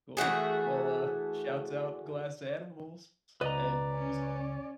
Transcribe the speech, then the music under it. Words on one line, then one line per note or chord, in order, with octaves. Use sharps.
Cool, well, uh, shoutout Glass Animals, s and it was
E3 A3 F#4 G#4
C#2 B4 D5 D#5 A#5
C#4